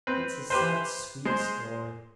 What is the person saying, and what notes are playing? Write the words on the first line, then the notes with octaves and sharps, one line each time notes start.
It's a sad, sweet story.
C4 B4
G4 B4 C5
G#3 C5